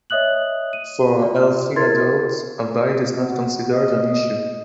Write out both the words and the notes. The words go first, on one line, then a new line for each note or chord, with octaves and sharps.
For a healthy adult, a bite is not considered an issue.
C#5 D#5 E5 D#6 F#6 F#7
D#7
F4 D5
E4 A#4 B4 C6 G#6 A6
F#4
D#5
D#5